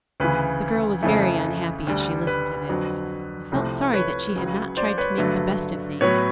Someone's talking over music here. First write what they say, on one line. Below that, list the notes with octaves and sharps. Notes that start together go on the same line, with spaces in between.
The girl was very unhappy as she listened to this, and felt sorry that she had not tried to make the best of things.
D2 C#3 E3 B4
F2 C#3 E3 A3
D2 D3 G3
B4
F2 D3 F#3
C2 C3 F3 A3
B4 C#5
C#2 C#3 F#3
C5 D5
B4 C#5
G2 D3 F#3 A3 B4
A2 F#3 B3 B4 C#5